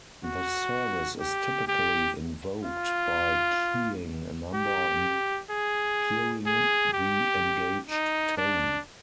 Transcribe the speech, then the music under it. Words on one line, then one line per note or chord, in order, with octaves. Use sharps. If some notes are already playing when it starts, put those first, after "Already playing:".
The service is typically invoked by keying a number on hearing the engaged tone.
F#4
G4
G4
F4
G4
G#4
G#4
G4
D#4
D4